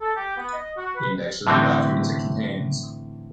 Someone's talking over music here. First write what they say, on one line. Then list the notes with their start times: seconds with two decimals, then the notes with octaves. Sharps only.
Index of the documents it contains.
0.02 A4
0.16 G4
0.37 B3
0.53 D#5
0.77 F#4
0.96 B4
1.47 A2 D3 E3 C4 D#4